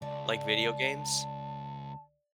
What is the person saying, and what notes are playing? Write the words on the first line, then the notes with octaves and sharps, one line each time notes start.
Like video games?
C#2 D5 A5